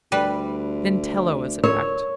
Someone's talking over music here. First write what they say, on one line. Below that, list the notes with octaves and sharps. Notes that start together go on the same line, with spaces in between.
Then Tela was attacked.
D2 G3 B4
A#4 C#5